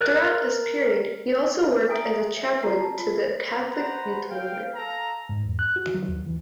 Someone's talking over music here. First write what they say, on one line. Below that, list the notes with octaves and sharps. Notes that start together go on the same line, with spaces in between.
Throughout this period he also worked as a chaplain to the Catholic youth movement.
A#4 D5 F#6
E5 G5 G#5 A#5 D#6 D7
E5
F4 F#4 C#5 A#5 C7
A5 A#5
F4 B5
C5
B4 C5 F#5 A#5 B5
F5 G5
A4 F5 A#5
G#2
E2
F#6
F#4
F#3
D#2
E3